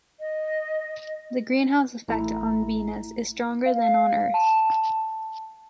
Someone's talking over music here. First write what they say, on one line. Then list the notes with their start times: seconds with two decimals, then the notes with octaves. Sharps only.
The greenhouse effect on Venus is stronger than on Earth.
0.20 D#5
2.08 A1 A3 E4 A#5
3.66 F5
4.34 A5